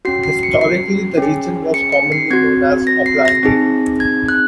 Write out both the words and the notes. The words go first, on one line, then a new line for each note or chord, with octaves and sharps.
Historically, the region was commonly known as "Opplandene".
C#4 F#4 C7
C7
C#7
C7
C#4 G#4
C#7
C#7
C7
C4 F#4 G#6
A#6
C7
A#6
C4 D#4 G#4
G#6
F#6